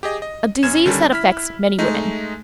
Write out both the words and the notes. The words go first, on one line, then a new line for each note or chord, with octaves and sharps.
A disease that affects many women.
G4 G#4 D#5
D#5
F#2 C#4 G#6 E7
D3 D#3 G3 C#4 D4
E4 F6 B6
G#3 A3 D#4